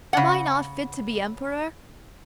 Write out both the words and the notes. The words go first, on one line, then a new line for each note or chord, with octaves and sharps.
Am I not fit to be Emperor?
C#3 F#5